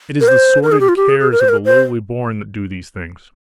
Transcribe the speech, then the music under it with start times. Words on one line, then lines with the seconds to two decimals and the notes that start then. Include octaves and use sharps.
It is the sordid cares of the lowly born that do these things.
0.21 A#4
0.28 C5
0.63 A#4
0.72 G#4
0.80 G4
0.89 F4
0.97 G4
1.09 G#4
1.20 G#4
1.32 A#4
1.40 C5
1.49 A#4
1.65 C5